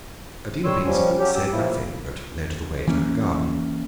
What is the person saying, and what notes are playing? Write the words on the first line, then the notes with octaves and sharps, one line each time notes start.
Adela Pingsford said nothing, but led the way to her garden.
G3 C#5 C6 E6
F3 G3 C#4
F#3 C#4 G4
G4 E6
F3 A#3 E4
E3 A#3 C#4